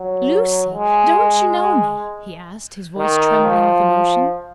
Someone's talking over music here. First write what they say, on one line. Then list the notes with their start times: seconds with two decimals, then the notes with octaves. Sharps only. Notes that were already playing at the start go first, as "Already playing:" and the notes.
"Lucy! don't you know me?" he asked, his voice trembling with emotion.
Already playing: F#3
0.74 G#3
1.18 G#3
2.98 D#3
3.43 F3